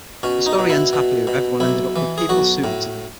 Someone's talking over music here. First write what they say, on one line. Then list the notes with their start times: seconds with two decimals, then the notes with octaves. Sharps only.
The story ends happily with everyone ending up with people suited to them.
0.23 B2 C#4
0.46 D#4
0.59 B2
0.70 E4
0.93 B2
1.27 B2
1.60 B1 E4
1.96 E3
2.18 G#4
2.29 B1 F#4
2.64 A2